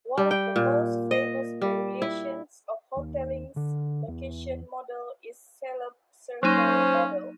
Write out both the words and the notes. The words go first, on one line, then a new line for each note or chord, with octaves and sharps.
One of the most famous variations of Hotelling's location model is Salop's circle model.
G3
G5
A#2
D#5
G3
E4
D#2
D3
E2
F#3 A#3 C#4 D#4 C5